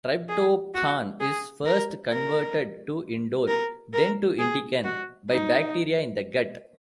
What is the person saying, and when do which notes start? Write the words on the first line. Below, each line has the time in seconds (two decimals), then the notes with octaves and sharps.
Tryptophan is first converted to indole, then to indican by bacteria in the gut.
0.29 G#4
0.75 F#4
1.20 G#4
1.66 A#4
2.12 A#4
3.48 A#4
3.93 A#4
4.39 G#4
4.84 F#4
5.30 D#4